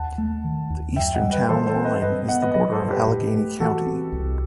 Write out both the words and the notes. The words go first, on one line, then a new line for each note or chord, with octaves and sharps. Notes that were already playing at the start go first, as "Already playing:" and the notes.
The eastern town line is the border of Allegany County.
Already playing: D#2 F#5 A5
A3
D#3
D#2
F#2 E5 G5
D#5 F#5
G3
B4 D#5
E3 A4 C5
A4 C5
C4
B4 D#5
G2 B4 D#5
B3 D#5 F#5
B4 D#5
F#3 B4 D#5
A4 C5
G2
G4 B4
A2
A3
E3 F#4 A4
C4
C2